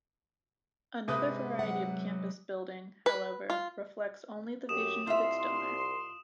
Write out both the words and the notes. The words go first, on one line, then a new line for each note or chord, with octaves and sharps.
Another variety of campus building, however, reflects only the vision of its donor.
G#2 C3 B4 D#6
F#3 F#5
B4
F4
F#2 G4 D#6 E7
C2 F4 D#5 E5 C6